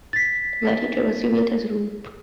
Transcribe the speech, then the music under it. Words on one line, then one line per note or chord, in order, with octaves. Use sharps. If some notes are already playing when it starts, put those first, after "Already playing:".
The Gladiator was revealed as Roop.
A6 B6